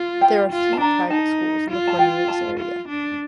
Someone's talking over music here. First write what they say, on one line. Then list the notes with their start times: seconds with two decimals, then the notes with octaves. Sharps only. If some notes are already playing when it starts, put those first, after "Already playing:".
There are few private schools in the Cornelius area.
Already playing: F4
0.21 G5
0.51 F4
0.73 A5
0.80 D4 A#5
1.10 D#4 A5
1.70 F4
1.88 A5
1.99 G5
2.28 A5
2.59 F4
2.88 D4